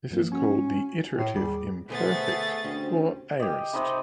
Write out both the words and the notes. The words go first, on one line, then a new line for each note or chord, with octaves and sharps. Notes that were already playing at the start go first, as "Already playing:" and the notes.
This is called the "iterative imperfect or aorist".
G2 F3 A#3
C#4 F#4 G#5
A2
D#2 G3 G#4 D6
B2 D3 A3 B3 G#4 C5 A6
D2 G3 C4 C#4
G4 D#5
C3 D#4 D#5 B5